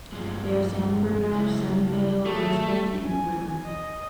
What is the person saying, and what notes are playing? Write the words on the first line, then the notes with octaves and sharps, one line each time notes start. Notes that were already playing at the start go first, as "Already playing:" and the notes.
They are San Bruno, Sunnyvale, Brisbane, and Portland.
G2 F3 G#3
C#3 F#3 E4
D#3 A3 G#4
G#5
D#5